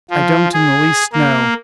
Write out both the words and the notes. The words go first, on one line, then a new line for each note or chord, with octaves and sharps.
"I don't in the least know."
F3
G#4
A#3